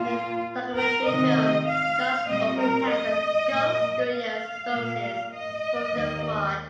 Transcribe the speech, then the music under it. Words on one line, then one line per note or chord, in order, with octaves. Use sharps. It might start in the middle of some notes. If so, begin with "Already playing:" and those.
The documentary film "God's Open Hand" by Ghost Studios exposes voter fraud.
Already playing: A#2 A#3 F4
A#4
C3 D#3 C4 D#5
F5
A#2 G3 C4 D#5
A#4
D#5
A#2 A#3
F5
A#2 A#3
D#5
D#2 D#3 A#3